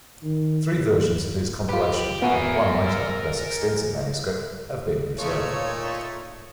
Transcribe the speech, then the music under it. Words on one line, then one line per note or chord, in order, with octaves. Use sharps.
Three versions of his compilation, and one later, less extensive manuscript, have been preserved.
D#3
D#2
F4 G4 B4
B3 F#4 A#4 E5 G#5
E6 F6
A#2 A3 D#4 F4 C#5